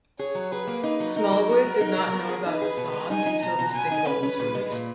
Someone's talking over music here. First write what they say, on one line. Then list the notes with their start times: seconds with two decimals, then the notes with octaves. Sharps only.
Smallwood did not know about the song until the single was released.
0.19 G#4 C#5
0.35 F#3
0.51 G#4 B4
0.67 A#3
0.83 D#4
1.00 F#3
1.16 D#4 A#4
1.32 F#3
1.49 B3 A#4
1.64 B3
1.81 D#4
1.97 F#3
2.13 B3
2.29 G#4
2.46 D#4 B4
2.61 G#4
2.77 B2
2.93 G#3
3.10 D#4 G#5
3.26 D#4
3.42 B2 A#5
3.59 B2
3.75 B2 G#5
3.91 D#4
4.07 C#4 B4
4.23 C#4
4.39 A#2
4.55 G#3
4.72 A#2